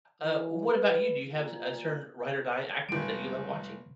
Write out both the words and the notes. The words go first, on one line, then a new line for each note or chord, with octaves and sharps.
uh, what about you? Do you have a certain ride or die actors that you love watching?
E3
B4
A#2
F1 G3 G#3 D7